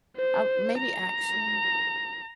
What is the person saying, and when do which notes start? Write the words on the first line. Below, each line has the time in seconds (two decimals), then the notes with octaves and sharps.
Uh, maybe action.
0.17 C5
0.79 A#5